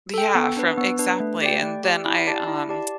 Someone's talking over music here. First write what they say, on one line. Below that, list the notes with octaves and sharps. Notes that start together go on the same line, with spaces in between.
Yeah, from Exactly, and then I, um,
A4 G5
B3
D4 B4
B3
D4 B4
A3
G4 D5 G5
A3
G4 D5 G5
E4
G4 D5 A5
E4
G4 D5 A5